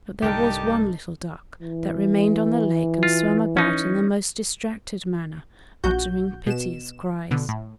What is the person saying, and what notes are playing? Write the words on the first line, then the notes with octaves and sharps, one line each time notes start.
But there was one little duck, that remained on the lake and swam about in the most distracted manner, uttering piteous cries.
C2 G#2 D3 D#4 G4 A#4 G5 A5
E3
F4
C#4 D#4
A#1 F#4 G6
B2 E7
B2 D3
A2